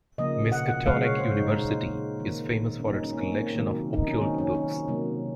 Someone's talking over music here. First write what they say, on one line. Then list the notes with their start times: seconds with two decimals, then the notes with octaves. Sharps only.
Miskatonic University is famous for its collection of occult books.
0.18 C#3 F3 A#3 D#5
0.52 F#5
0.68 F#5
0.86 C#3 F3 G#3 F5
1.03 C#5
1.19 C5
1.36 D#4
1.52 A#2 G#3
2.19 D#3 A#3
2.80 C#4
2.87 A#2 F#3 A#3 D#4
3.04 C#4
3.13 A#3
3.20 C4
3.32 A#3
3.38 C4
3.54 C3 D#3 F#3 A#3
3.93 D#4
4.08 C#4
4.21 D#3 F#3 A#3 C4
4.38 C#4
4.55 C#4
4.88 C3 F#3 A#3